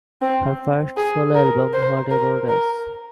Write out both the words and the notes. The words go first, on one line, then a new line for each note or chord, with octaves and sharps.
Her first solo album 'What about Us?
C4
G#4
A#4
C5
A#4
A#4